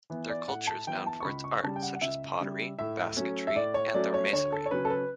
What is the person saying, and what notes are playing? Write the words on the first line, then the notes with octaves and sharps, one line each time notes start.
Their culture is known for its art such as pottery, basketry and their masonry.
E3 B3
D5
A2 F#5
A5
E3 B3 G5
A5
C#6
C#2 B5
C#6
C#3 G3 A5
G5
F#5
F#5
C#2 E5
C#3 G3
A2 E5
F#3 A3 C#4
E5
A2 D5
C#5
F#3 A3 C#4 D5
C#5
D2 C#5
A4
C#5
C#3 F#3 C#4 B4
A4
B4